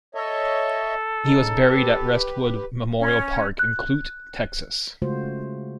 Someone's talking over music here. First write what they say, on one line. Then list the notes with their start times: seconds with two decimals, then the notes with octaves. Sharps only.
He was buried at Restwood Memorial Park in Clute, Texas.
0.15 A4 C#5 D#5 E5
1.25 C#3 D#4
1.63 G4 B4
2.99 C#4
3.59 F#6
5.02 C#3 G#3 A3 F4 F#4 C5